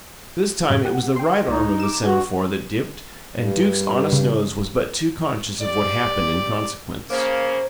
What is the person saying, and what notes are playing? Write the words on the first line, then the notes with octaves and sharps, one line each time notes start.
This time it was the right arm of the semaphore that dipped--and Duke's honest nose was but too conscious of what happened in consequence.
F#2 A2 F#3
G4 F#5
G5 C6
C#2 A#2 D#4
D6 E7
D4 F#4 G#4
G2
C#3
G4 D5
C#3 A#3 C5